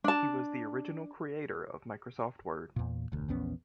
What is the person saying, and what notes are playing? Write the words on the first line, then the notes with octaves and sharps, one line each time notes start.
He was the original creator of Microsoft Word.
D4 A5
E2 A#2
E1 D2
A#1 E2 B3 C#4